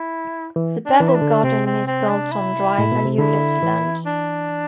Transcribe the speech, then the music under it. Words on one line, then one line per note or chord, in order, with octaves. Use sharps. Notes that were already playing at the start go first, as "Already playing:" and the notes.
The Pebble Garden is built on dry valueless land.
Already playing: E4
E3
D4
E3
E4
D4
D3
C3 C4
C4
C4
D4
E4
A2
B2
C3
D3 E4
E3
D4